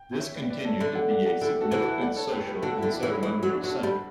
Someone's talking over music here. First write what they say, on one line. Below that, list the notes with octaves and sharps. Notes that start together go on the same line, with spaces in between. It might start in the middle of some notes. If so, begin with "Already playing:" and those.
This continued to be a significant social and ceremonial center.
Already playing: G5
C#5 E5
B4 D5
B4 D5
D5
A4 C#5
D3 C#5 E5
D5 F#5
D5 F#5
D5 F#5
D3 E4 G4
F#4 A4
E3
F#4 A4
D5 F#5
A4 C#5
G4 B4
G4 B4
D3 F#4 A4
E4 G4
D3
E4
D4
E3
C#4 E4
E3 C#4
C#4 E4
F#3
D4 F#4
F#3
F#4 A4
G3